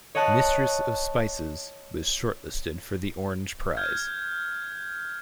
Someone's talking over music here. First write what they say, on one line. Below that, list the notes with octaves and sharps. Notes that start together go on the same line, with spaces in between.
"Mistress of Spices" was short-listed for the Orange Prize.
C#5 D#5 F#5 A5 F#6
F6 G6 G#6